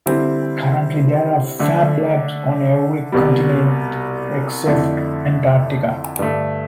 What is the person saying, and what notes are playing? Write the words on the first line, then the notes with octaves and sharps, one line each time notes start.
Currently there are Fab Labs on every continent except Antarctica.
D3 G3 C4 E4
D3 A3 D4
C2 B2 G3
F2 D3 A3 E4 A4
G2 D3 A3